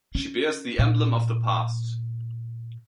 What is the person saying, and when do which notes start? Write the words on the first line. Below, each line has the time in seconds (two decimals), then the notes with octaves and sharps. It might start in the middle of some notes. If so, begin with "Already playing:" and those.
She bears the emblem of the past.
0.15 C#4
0.79 A#2